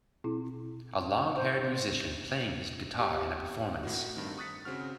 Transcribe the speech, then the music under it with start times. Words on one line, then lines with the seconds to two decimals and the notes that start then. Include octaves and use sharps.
A longhaired musician, playing his guitar in a performance.
0.24 B2 C4 E4
1.36 C5
2.98 G4
3.83 A2 D#3 F#4
4.16 G2 D#3 C4
4.37 C#6 D#6 F#6 A6 B6 C#7
4.65 C#3 C4 F#4 F6